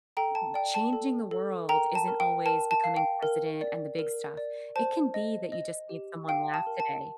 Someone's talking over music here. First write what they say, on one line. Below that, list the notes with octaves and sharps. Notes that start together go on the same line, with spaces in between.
ee changing the world isn't always becoming president and the big stuff. It can be that you just made someone laugh today.
A4 G5 A#5
A5
D5 G5
A5
A4
A4
A#4 G5 A#5
A5
A#4
G5
A#4 A5
A5
F5
G5
A#4
D5
A#4
D5
C5 A5
D#5
D#5
G4
F5 G5
A5
A#4
A5